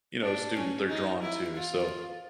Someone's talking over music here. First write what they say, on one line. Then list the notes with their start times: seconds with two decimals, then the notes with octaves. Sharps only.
you know, student they're drawn to, so,
0.22 D4
0.56 C#4
0.89 D#4
1.22 E4
1.56 F4